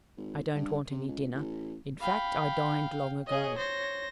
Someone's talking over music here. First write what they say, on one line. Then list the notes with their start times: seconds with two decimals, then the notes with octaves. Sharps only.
I don't want any dinner; in fact, I dined long ago.
0.17 G#1
0.55 G2
0.91 C3
1.08 C#2
1.34 A1
2.01 F5 G5 B5
3.27 G#4 C#5 D#5
3.58 C5 A#6